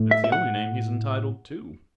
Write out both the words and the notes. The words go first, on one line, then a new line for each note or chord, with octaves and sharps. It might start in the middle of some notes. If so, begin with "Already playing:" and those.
It's the only name he is entitled to.
Already playing: A2 A3
E5
E5
F#5